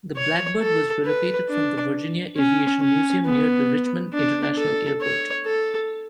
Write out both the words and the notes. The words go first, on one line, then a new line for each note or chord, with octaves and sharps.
The Blackbird was relocated from the Virginia Aviation Museum near the Richmond International Airport.
C#5
A4
B4
D4
C#4
C#4
B3
D4
A4
C#5
A4